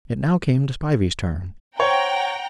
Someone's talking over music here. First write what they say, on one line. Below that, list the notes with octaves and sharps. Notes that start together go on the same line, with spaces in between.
It now came to Spivey's turn.
C5 C#5 F#5 G5 A#5